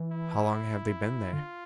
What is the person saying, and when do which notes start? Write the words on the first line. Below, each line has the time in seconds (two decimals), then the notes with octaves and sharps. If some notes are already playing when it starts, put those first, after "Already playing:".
"How long have they been there?"
Already playing: E3
0.12 E4
1.33 D3 F4